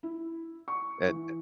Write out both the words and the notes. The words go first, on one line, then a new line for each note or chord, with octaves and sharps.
and, eh
E4
C#6
E3